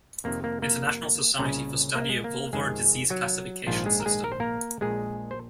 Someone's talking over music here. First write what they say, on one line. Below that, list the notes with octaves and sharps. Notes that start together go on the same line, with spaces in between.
International Society for Study of Vulvar Disease classification system.
F2 C3 D#3 A#3
A#3
A#3
C2 A#2 C#3 C#4
A#3
G#3
A#3
F2 C3 D#3 G#3 G#4
F#3 F#4
A#1 G#2 D#3 F3 F4
G#3 G#4
A#4
G#3 G#4
A#4
C5
A#3 A#4
A#1 A#2 G#3 G#4
C5